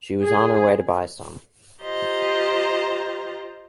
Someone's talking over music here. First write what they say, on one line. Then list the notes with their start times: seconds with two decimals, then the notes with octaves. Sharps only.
She was on her way to buy some.
0.23 G#4
1.82 F4 G4 C5 D#5 A#5